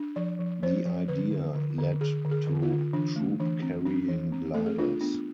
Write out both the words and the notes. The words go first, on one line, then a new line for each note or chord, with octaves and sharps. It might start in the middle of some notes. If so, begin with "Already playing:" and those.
The idea led to troop-carrying gliders.
Already playing: D4
F3 D5
F3
F3 C5
F3
D3 B4
D3
D3
D3
D3 G#4
D3
G#4
D3
F4
D3
E3 D4
A3
E3 D4
C4
C4 D4
E3
C4
A3 A4
G#4
D4 F4
B3 D4